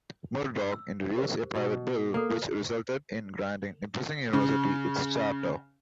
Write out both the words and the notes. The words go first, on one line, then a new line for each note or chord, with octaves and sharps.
Murdock introduced a Private Bill which resulted in granting Nipissing University its charter.
E6
G4 A#4 C5
B2
A#3 A4 F#5
C#3